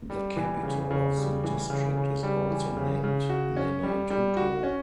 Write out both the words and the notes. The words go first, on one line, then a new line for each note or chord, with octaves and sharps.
The capital of the district is also named Manatuto.
G3
E3
C#3
C#3
G3
E3
C#3
C#3
G3
E3
C#3
C#3
F#4
C#4
G3
G3
F#4
C#4